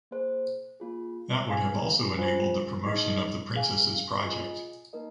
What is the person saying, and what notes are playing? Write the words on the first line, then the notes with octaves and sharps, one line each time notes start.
That would have also enabled the promotion of the princess’s project.
A#3 G#4 C5
A#3 F4 G#4
C4 G#4 F5 G#5
F4 C5 G#5
D#4 G#4 D#5
G#4 F5 G#5
F4 G#4 D#5 G#5
A#3 D#4 A#4 D#5